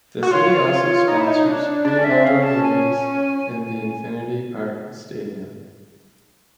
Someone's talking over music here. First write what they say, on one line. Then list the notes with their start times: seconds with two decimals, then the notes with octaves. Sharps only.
The city also sponsors free outdoor movies in the Infinity Park stadium.
0.23 F#4
0.31 F4 C#5
1.08 D#4
1.18 E4
1.27 D#4
1.46 D4
1.85 D4 D5
1.98 C#4
2.04 E5
2.11 C4
2.23 C#4 F5
2.43 A5
2.63 G#5